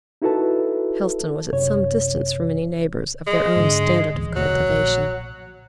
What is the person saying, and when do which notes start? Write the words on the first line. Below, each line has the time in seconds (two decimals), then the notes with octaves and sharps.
Helstone was at some distance from any neighbours of their own standard of cultivation.
0.22 D#4 E4 F#4 A4 B4 A5
1.52 F#2 C3 C#5
3.27 G#3
3.56 G#2 D3
4.15 D#1 A#1 E2
4.36 E1 D2 C3 F#3
4.69 A#1